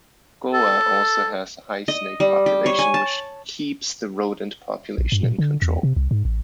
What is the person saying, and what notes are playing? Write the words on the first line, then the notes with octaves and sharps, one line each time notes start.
Goa also has a high snake population, which keeps the rodent population in control.
A4
D#5
G3
G4
C#5
G#5
A5
A#1
G2
A#2
D3
E2
C3
C2
G#2
A1